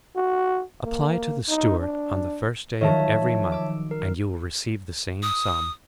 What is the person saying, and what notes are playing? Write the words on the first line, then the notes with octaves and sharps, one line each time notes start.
"Apply to the steward on the first day of every month, and you will receive the same sum."
F#4
A#3
D#4
D4
D#3 F3 F#3 C#5 E5 A5
D6 E6
A#4
D#6